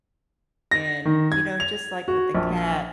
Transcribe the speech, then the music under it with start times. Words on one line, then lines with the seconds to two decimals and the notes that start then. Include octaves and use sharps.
and, you know, just like with the cat,
0.71 A#6
1.05 D#3
1.32 G#6
1.60 F7
2.08 F#4
2.35 A#1